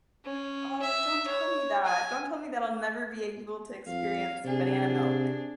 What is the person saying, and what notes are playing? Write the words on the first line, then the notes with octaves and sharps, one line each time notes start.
Oh, don't tell me that. Don't tell me that I'll never be able to experience banana milk.
C#4
E5
C#5
G#5
F2 F5
C3 D4 G#4